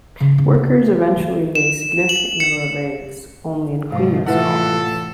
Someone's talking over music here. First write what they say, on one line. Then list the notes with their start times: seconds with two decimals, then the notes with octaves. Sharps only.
Workers eventually lay significant numbers of eggs only in queenless colonies.
0.20 C#3
0.38 C#3
0.54 E4
1.16 E3 A3
1.55 E7
2.09 F#7
2.40 C#7
3.91 G#2 C3 F3 F5
4.26 A2 E3 E4 F4 A4 B4 E5 F#5